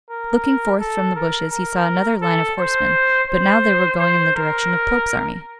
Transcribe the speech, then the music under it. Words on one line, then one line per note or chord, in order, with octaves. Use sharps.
Looking forth from the bushes he saw another line of horsemen, but now they were going in the direction of Pope's army.
A#4
A4
A#4
A#4
A4
C5
C5
C5
A#4